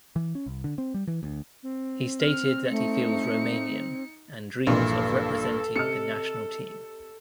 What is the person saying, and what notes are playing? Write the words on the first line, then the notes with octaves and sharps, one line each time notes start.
He stated that he feels Romanian and dreams of representing the national team.
E3
C#4
C2
D3
C4
G3
E3
D2
C4
F6
A3 D#4 C#7
A#1 G2 A#2 E3 A4 C6
C3 D#5 F6 C#7